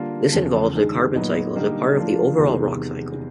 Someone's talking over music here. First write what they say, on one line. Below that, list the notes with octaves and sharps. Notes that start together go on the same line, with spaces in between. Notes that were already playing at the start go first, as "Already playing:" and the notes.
This involves the carbon cycle as a part of the overall rock cycle.
Already playing: D3 G3 A#3 D4 F4
E2 C#3 F3
G2 D#3 G#3
A#2 F#3 B3 D#4
D3 G3 A#3 D#4 G4
F3 A#3 D4 F4
E2 C3 D#3 G#3 B3